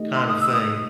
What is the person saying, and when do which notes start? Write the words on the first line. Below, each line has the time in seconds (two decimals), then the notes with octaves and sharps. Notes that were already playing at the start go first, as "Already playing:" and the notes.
kind of thing,
Already playing: A3 D#4 G4 D#5
0.16 C6
0.29 D#6
0.41 E6
0.54 D#6